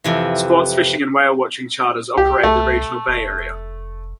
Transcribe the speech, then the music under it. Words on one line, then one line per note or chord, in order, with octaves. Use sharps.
Sports fishing and whale watching charters operate the regional bay area.
F2 C3 E3
C2 G4
C2 A3
F1